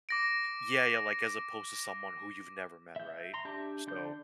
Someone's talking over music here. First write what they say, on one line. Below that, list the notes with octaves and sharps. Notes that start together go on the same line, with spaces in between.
yeah yeah, like, as opposed to someone who you've never met, right, so
D6 A#6 D7
E5 G6
A#5 C6
D4 G4 E5 A5 G6
D3 D4 G6